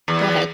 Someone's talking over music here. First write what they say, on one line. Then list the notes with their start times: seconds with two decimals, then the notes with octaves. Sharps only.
Go ahead.
0.08 E2